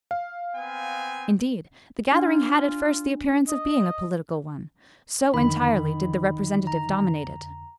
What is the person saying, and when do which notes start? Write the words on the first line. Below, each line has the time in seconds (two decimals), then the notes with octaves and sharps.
Indeed, the gathering had at first the appearance of being a political one, so entirely did the Representative dominate it.
0.11 F5
0.56 B3 C4 G#5
2.12 D4 F4
3.48 D#5
5.34 F2 D3 D#3 B5
6.67 A#5